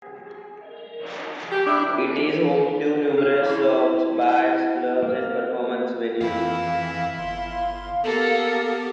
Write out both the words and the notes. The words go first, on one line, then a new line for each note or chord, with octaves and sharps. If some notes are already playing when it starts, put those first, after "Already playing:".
It is home to numerous shops, bars, clubs, and performance venues.
G4
D4 E4
F5
E4
A#3
F2 E3 C4 E4 F5
G1 C6
A#3 B3 G4 A4